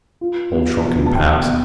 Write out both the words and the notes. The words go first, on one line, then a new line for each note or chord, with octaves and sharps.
Old shrunken paps.
F4
B3
B2
A5
B2 G5
B3